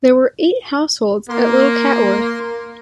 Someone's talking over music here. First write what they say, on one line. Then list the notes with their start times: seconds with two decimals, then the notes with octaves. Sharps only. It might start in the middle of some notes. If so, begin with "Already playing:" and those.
There were eight households at Little Catworth.
1.29 A#3 A#4 C6